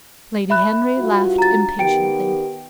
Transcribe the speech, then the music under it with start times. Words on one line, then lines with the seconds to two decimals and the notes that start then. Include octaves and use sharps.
Lady Henry laughed impatiently.
0.50 E5 B5 F#6
0.99 G2 F4 F#4
1.38 A#5 A6
1.79 D#3 B3 G4 G5 D7